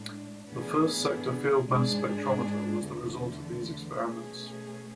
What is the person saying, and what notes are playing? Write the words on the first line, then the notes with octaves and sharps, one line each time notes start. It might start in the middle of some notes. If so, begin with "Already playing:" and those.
The first sector field mass spectrometer was the result of these experiments.
Already playing: A2 G#3 D4
A2 E3 B3 D4 G#4
G#2 G#3 D4 G#4
E2 D3 A3
B2 A3 C#4 G#4